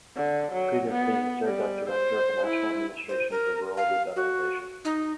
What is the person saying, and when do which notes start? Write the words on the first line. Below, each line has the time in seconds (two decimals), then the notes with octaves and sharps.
Previously he served as director of the National Administration for Rural Revitalization.
0.15 D3
0.52 F#3
0.89 B3
1.45 G3
1.89 C5
2.47 E4
3.09 C5
3.31 A#4
3.77 F5
4.16 F#4
4.85 D#4